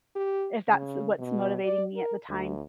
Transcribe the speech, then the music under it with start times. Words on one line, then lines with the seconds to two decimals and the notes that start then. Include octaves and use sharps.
if that's what's motivating me at the time.
0.15 G4
0.68 C#3
1.19 B2
1.64 D5
1.96 A#4
2.29 D2